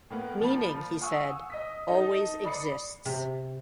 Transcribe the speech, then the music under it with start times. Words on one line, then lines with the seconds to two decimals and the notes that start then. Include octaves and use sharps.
Meaning, he said, always exists.
0.10 A2 A#3 B3
0.40 A#2 F3 A#3 B5
1.01 F5 F#5 G#5 C#6 D#6 E6
1.50 D#5 D#6 B6
1.88 D#4 A4 D#5
2.44 D5 B5 D#6 C7 C#7
3.06 C3